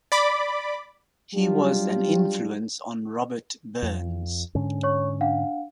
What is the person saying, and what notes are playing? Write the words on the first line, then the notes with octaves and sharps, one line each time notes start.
He was an influence on Robert Burns.
D5 B5 D6
F#3 G3 D4 F4 G4
F2
G#2 D3 C#4
C#5 C#6
D4 F5 F#5